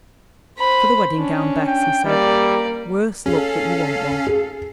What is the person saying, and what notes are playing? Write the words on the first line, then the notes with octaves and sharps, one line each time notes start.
"For the wedding gown, Bess," he said; "worse luck that you want one!"
C5 B5
C#4 D4
G5
G3 A#3 D5
C#4 G#4 A4 F5
G#4